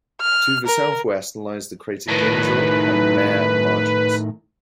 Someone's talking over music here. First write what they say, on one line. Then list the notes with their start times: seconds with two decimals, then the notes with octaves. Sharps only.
To the southwest lies the crater Ginzel and Mare Marginis.
0.21 F6
0.66 A#4
2.08 A2 D#3 B4